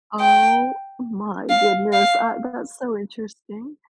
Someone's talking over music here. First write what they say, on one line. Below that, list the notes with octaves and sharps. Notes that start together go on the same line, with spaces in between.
Oh my goodness. I that's so interesting.
G5
F5
F5